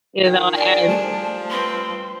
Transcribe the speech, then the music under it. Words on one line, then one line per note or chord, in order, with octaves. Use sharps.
You know, as
D#3 F4 G5
D4 G#4 D5
F3 G3 A3 C5 A5
C4 B4 C6